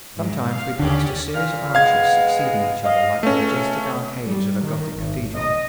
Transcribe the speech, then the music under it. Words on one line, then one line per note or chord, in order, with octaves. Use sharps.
Sometimes we passed a series of arches succeeding each other like the majestic arcades of a gothic cathedral.
G#2 F#3
F5
D#2 D3 C#4 G4 D5
A#2 F6
G#3 B3 F5 G#6
D#5 F5
C#2 A3 C#4
G3
D#3
G#1
D#5